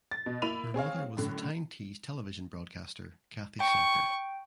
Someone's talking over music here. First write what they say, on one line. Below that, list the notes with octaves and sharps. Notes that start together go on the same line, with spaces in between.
Her mother was the Tyne Tees Television broadcaster Kathy Secker.
A6
B2
A#3 E4 B5 D#7 F7
C4 G#4 C#5 F5
F#2 A2 D3
G5 C#6